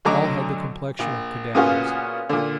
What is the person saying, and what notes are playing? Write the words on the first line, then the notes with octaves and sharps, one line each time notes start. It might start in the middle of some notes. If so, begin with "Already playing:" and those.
All had the complexion of cadavers.
D2 D3 F#3 D#5 A#5 D6
A#1
A#2 C#3 B3 C#4 F4 F#4
A#2 D3